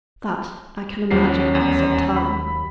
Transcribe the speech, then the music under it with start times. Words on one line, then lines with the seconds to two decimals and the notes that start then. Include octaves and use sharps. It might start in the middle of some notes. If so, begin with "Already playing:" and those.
"That I can imagine," said Tarling.
1.11 A#1 D#2 F3 F#3 C#4 C7
1.53 E2 G3
2.17 B5